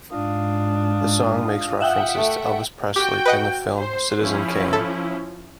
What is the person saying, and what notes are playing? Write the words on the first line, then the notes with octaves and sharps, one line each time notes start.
The song makes references to Elvis Presley and the film "Citizen Kane".
G#2 D4 F4 F5 D#6
E5 F#5 G5
A3
F#4 G4 G5
B4 D#5 F#5
C5
F3 C#4 E4
A4